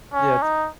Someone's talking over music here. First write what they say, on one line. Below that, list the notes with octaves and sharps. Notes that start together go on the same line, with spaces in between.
Yeah, t
C#4
D#4